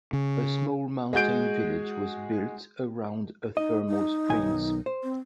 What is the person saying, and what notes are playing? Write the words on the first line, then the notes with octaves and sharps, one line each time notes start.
A small mountain village was built around a thermal springs.
C#3
G#3 F#4 G#4 G6 D7
D#4 D#5
D#4
B1 D#3 G#5
C5
C4